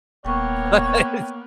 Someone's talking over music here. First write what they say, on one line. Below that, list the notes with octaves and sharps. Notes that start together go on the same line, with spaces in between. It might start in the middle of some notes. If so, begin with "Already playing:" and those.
but it is
D#1 A#3 B3 C#5 G5 C#6